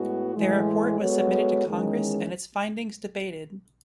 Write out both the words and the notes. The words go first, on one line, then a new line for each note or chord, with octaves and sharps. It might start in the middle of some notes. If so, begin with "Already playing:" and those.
Their report was submitted to Congress and its findings debated.
Already playing: A2 G#3 B3 F#4
A2 E3 G#3
G#3 B3 F#4 A4 C#5
E2 D#3 G#3 C#4